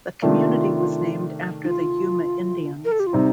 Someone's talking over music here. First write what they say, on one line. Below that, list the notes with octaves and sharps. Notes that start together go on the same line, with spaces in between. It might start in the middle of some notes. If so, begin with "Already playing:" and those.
The community was named after the Yuma Indians.
C3 D#3 A3 D4 F4
D#4
F4
A#4
A4
G4
F4
C3 G3 C4 D#4